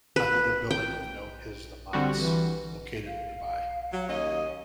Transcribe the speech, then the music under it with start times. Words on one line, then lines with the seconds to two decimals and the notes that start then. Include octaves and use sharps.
Another building of note is The Manse, located nearby.
0.16 B4
0.71 G5
1.93 D3 G3 C4 F#4
2.16 E3
3.06 F5
3.93 F#3
4.09 D#2 C#4 D#5